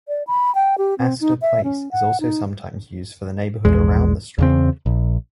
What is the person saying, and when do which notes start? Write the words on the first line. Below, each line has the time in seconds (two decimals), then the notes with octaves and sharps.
"Astor Place" is also sometimes used for the neighborhood around the street.
0.08 D5
0.27 B5
0.55 G5
0.78 G4
0.98 C4
1.21 D#4
1.42 E5
1.64 C#4
1.91 F#5
2.20 D#4
3.65 A#1 E2 G#3
4.38 E2 C#3 C4
4.86 A#1